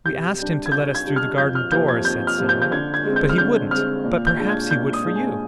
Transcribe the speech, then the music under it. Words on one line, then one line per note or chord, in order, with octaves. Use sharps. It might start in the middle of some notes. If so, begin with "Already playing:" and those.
"We asked him to let us through the garden-door," said Sylvie: "but he wouldn't: but perhaps he would for you!"
C3 G6
G3 D4
G#6
C3 G6
G#6
G3 D4
F6
F2 G6
F6
C3 F3 A#3 G6
G#6
F2 G6
F6
C3 F3 A#3
G6
G6
D3 G#6
G#6
G#3 C4
G6
F6
D3 G6
G#3 C4 F6
A#2
G6
G#3 D4
G#6
A#2 G6
D#6
G#3 D4
G#5